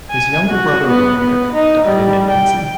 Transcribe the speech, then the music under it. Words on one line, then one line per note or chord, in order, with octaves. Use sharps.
His younger brother, Ludwik, died in infancy.
G#5
F#4
B3
B3
D#4
G3
G5